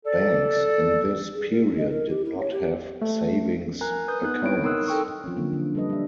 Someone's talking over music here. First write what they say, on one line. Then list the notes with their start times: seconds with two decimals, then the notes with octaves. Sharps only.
Banks in this period did not have savings accounts.
0.05 A4 D5
1.34 G#4
1.51 A#4
1.65 D#4
1.78 D#5
1.90 A#4
2.09 G4
2.25 E4
2.39 C#5
2.53 G4
3.02 A3
3.81 A#4 G#5 A#5 F#6
4.08 B4 D#6 G6
4.21 B3 D#4 F#6
4.42 B3 C4 E4 C#5 D7
4.63 D#4 A#4 C6 D#6 E6 F#6
4.88 A4 G5 C#6
5.24 F3 C4 C#4
5.37 D3 F#3 A#3
5.53 D3
5.75 G3 A4 B4 D#5
5.90 D4 E5